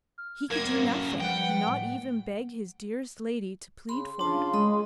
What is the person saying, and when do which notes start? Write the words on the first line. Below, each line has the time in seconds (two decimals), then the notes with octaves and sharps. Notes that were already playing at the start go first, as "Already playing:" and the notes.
He could do nothing--not even beg his dearest lady to plead for him.
0.18 F6
0.51 F#2 A#3 A#4 G#6
0.81 A2 C#4
1.20 F3 G3 B4 F#5 G5
1.67 A2 F#5
3.89 C#3 B5 C6
4.19 C#3 D4 F4 A5 C6
4.53 G#3 D#5 B5 D#6